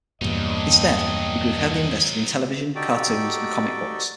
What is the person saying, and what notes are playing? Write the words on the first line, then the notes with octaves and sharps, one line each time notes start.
Instead, he grew heavily invested in television, cartoons, and comic books.
E2 G2 A#2 F#3 D#4 D#5
D#4 F#4 G4 A4 D5 G5